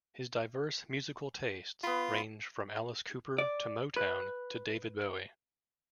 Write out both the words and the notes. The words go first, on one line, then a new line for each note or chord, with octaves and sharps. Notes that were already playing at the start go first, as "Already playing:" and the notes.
His diverse musical tastes range from Alice Cooper to Motown to David Bowie.
B3 F4 B5
D5
B4